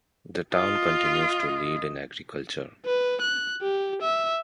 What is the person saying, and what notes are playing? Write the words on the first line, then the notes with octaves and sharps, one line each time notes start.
The town continues to lead in agriculture.
F4 D#5
B4
F#6
G4
E5